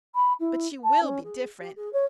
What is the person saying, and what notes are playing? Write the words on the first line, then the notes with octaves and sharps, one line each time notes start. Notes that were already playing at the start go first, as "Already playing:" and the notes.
But she will be different.
B5
E4
A5
C#4
G#4
G4
G#4
C#5